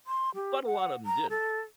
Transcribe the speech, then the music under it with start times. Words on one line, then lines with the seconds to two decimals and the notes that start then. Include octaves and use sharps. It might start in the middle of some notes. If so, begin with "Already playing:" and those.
but a lot of 'em didn't,
0.07 C6
0.35 G4
0.66 F#5
1.06 A#5
1.30 A4